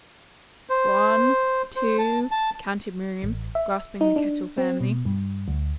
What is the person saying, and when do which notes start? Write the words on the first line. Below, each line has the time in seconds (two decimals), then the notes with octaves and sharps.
"One, two," counted Miriam, grasping the kettle firmly.
0.70 C5
1.76 C5
1.99 A5
2.31 A5
3.23 A1
3.55 E5
4.01 D#4
4.16 D4
4.58 C4
4.81 B2
5.05 G2
5.48 D2